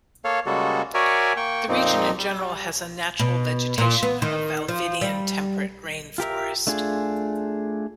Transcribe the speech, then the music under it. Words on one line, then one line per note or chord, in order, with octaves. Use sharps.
The region, in general, has a natural vegetation of Valdivian temperate rain forest.
A#3 A4 C#5 F5
C#3 G3 G#3 A#3 F#4 A4
F#4 A#4 C#5 D5 E5 G#5
A#3 G5 C#6
F2 A#2 F3 A#3 C4 D#4
G3
B2
A#2
B3
D#3
F3
G3
F4 G4 A#4 E5
A3 D4 F4 G#4